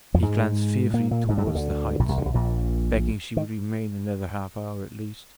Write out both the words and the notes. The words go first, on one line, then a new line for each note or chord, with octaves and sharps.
He glanced fearfully towards the Heights, begging she would remain another half-hour, at least.
F2 F3
G#2 G#3
A#2 A#3
A#2 A#3
G#2 G#3
G2 G3
D#2 D#3
D2 D3
A#1 A#2
C2 C3
D2 D3
C2 C3
A#1 A#2
D#3